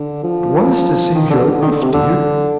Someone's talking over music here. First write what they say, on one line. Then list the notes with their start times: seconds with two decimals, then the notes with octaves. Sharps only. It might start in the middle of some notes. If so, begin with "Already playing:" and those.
"It was to save your life, dear."
Already playing: D3
0.23 F3
1.15 D#3
1.30 D3
1.45 D3
1.61 D#3
1.72 D3
1.82 C3
1.93 D3